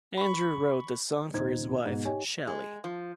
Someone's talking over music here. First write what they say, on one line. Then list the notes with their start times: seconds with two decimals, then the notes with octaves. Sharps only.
Andrew wrote the song for his wife, Shelly.
0.18 B5 C#6
1.33 D#1 D#4 C5 G#6
1.86 G#2 B2
2.05 D#4 G4 C#5 D#5 G#5
2.47 G#3
2.84 F3